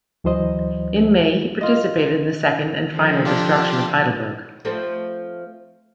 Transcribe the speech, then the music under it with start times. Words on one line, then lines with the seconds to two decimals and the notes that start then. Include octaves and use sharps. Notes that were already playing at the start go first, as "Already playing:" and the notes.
In May, he participated in the second and final destruction of Heidelberg.
0.24 D2 E3 F#3 C5 D#5
1.61 F4 D#5
2.93 D3 F3
3.25 D4 F4 G4
4.65 F3 A3 C4